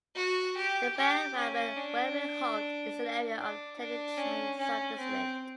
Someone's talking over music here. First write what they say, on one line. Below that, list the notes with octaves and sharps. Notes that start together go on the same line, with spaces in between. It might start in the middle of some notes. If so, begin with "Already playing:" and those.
The Bang Ramat Railway Halt is in the area of Taling Chan Subdistrict.
F#4
G4
G4
C#4
D4
D4
D4
C#4
C#4
C4